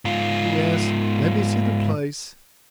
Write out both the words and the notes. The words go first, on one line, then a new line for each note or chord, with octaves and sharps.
Yes, let me see the place.
G#2 F4